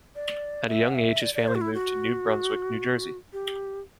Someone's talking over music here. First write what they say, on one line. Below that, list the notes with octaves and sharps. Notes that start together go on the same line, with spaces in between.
At a young age, his family moved to New Brunswick, New Jersey.
D5
E5
F#5
E5
D5
D5
C5
F#4
E4
F#4
G4